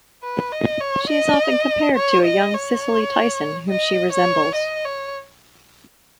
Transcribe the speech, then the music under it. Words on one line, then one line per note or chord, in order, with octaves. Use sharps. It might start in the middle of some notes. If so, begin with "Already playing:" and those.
She is often compared to a young Cicely Tyson, whom she resembles.
B4
D#5
C#5
D#5
C#5
D#5
C#5
D#5
C#5
D#5
C#5